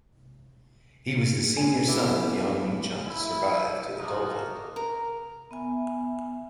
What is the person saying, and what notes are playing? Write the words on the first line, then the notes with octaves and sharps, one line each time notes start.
He was the senior son of Yang Luchan to survive to adulthood.
C#4 G#5
B3 E4 G4
E4
A3 A#3 D#4 F4 F#4 A#4
A#4
B3 E5 G#5